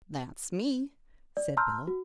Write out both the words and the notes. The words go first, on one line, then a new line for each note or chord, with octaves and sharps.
"That's me!" said Bill.
D5
A5 A#5 C6 E6 F6 G6
F#4